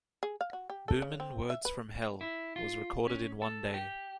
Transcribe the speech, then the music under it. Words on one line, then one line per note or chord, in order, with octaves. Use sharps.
"Boomin' Words from Hell" was recorded in one day.
G#4
F5
F#4
G4
A4
C#3
C4
E5
B4
E4
F4
C#4
A4
G4